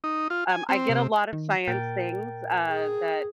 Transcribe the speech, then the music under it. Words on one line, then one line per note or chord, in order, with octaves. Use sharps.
um, I get a lot of science things, uh, that
D#4
F4
G#5
C4
C3
D#3
A#2 A#4 G5 A6
G#4